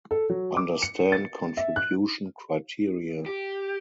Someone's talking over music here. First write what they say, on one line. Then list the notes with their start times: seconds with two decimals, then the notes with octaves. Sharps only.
Understand contribution criteria.
0.11 A4
0.30 F#3
0.57 D6
0.82 C#7
1.12 A6
1.57 E5
1.76 F#6
3.26 G4